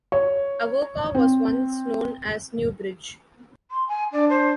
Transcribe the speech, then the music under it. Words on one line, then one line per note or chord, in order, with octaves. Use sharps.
Avoca was once known as Newbridge.
C#5
C4
C6
G#5
D4 D5
C5